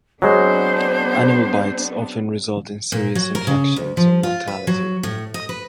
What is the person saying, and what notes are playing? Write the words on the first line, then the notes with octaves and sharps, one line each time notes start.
Animal bites often result in serious infections and mortality.
F#3 G#3 B3 C4 D4 C5
A#2
F#3
A#4
C#3
D2
F3
F4
B4
F#3
A2
D#5
B4